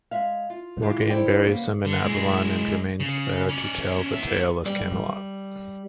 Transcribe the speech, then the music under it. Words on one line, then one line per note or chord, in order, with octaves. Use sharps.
Morgaine buries him in Avalon and remains there to tell the tale of Camelot.
G#3 E5 F5
F4
E3 G#3 F4 G4
E4 G4 A4 C5 D5 G5
C#3 G3 A#3 B3
D3
G#3 E4
C#3
C#4 D5
B3 E5
G3